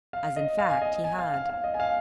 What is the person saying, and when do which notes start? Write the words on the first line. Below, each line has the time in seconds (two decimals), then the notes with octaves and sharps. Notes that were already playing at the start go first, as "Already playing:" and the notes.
As, in fact, he had.
0.13 F5
0.36 D#5
0.59 F5
0.70 G#5
0.81 D#5
1.04 G#5
1.18 F5
1.34 F5
1.49 F5
1.64 D#5
1.74 G#5
1.80 F5